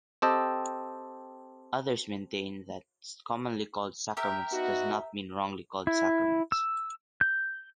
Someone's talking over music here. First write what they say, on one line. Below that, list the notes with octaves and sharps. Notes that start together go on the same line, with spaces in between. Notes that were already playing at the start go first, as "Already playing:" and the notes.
Others maintain that "commonly called Sacraments" does not mean "wrongly called Sacraments".
C4 G4 A4 D#5
G4 A#4 E5
B3 D#4 F#4
E4
E6
G6